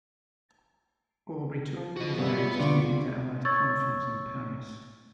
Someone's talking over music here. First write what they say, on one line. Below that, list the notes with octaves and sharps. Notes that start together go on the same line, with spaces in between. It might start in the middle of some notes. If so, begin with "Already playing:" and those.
Aubrey took his notes to the Inter-Allied Conference in Paris.
F3
F#4 D#5
G2 A#2 C#3 B3 E5
B2 D3 F4 G5 C#6 D6
C#5 C#6 E6 G#6 A6